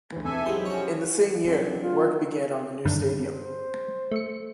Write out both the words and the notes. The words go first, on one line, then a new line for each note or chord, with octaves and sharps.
In the same year, work began on the new stadium.
D2 E3
E2 C3 A4 E5 G#5
B1 G#3 E4 G4 C5
F3 C#4 F#4 C#5
F#3 C4 D4
F4
G2 D3 D#3
C5
A3 C#7